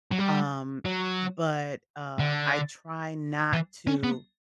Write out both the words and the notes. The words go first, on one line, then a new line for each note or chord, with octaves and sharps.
um, but, uh, I try not to
F#3
G3
F#3
D3
E3
C#4
B3